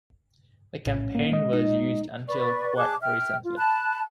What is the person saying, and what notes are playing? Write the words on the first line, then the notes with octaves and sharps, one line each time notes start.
The campaign was used until quite recently.
A#1 A2 C#4
A#3
G#3 D#5
D#4
B4 D5 C#6
G#4 A5 D6 F#6
E5 G5 F6
F4
A5 B5 F#6